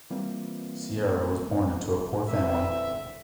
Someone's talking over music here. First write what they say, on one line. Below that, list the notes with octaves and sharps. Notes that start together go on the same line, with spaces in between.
Sierra was born into a poor family.
E3 G3 A#3 C4 F4
D3 E3 C4 E5